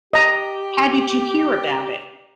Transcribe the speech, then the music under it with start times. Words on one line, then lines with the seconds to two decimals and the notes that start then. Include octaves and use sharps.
How did you hear about it?
0.13 G4 D#5 A#5